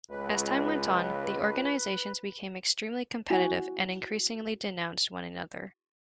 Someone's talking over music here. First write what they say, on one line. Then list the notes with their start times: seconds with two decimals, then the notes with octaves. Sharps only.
As time went on, the organizations became extremely competitive and increasingly denounced one another.
0.10 C#2 B4
3.30 E4 F#4 G#5